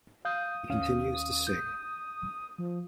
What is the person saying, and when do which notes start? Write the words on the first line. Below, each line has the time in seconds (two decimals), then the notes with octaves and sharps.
He continues to sing.
0.25 F5 D#6 G6
0.69 D#2 C#4 F5
1.47 G6
2.58 F3